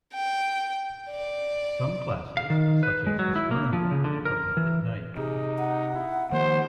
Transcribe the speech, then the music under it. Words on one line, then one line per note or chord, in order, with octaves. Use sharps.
Some classes, such as astronomy lab, are held at night.
G5
D5
F5
D#3
B4
G#3
F#3
E4
A#3
F3
C#3
D3
A#4
E3
C3 D#4 G#4
F#5
E4
D#3 F3 A#3 C5